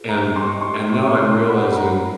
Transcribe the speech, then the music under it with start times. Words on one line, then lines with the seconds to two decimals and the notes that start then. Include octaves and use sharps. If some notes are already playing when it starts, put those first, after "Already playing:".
And and now I'm realizing,
Already playing: F4 G#4 B4
0.09 A#5
0.36 E4 G4 C5 D#5 G5 C6
0.48 C#6
0.61 C6
0.92 C#4 F#4 A#4 C#5 C#6
1.21 C6
1.48 F4 A#4 D5 F#5 B5
1.72 B5
1.77 A#5